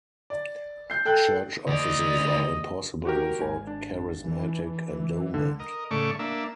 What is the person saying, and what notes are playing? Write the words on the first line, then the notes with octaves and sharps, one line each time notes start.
Church offices are impossible without charismatic endowment.
D5
G6 C7
A4 G5 F#6 G6
D2 D5 D#5
F#4 G4 A#4
G#1 G#5
D4
E3
G2 D3
A#4 D#5
A2 C#3 A3 D5 C#6
A#3 D4 E5